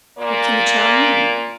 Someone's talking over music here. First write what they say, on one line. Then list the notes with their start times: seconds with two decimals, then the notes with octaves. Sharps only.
What can the child mean?'
0.19 A#2 A#3 D5